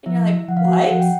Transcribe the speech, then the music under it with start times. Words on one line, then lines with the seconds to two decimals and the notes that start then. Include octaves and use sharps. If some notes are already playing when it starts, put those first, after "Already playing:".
And you're like, "What?"
0.06 F3 E4 E5
0.48 F3 F#5
0.57 F5
0.64 F#4 F#5
0.90 F3 F#5
1.00 G5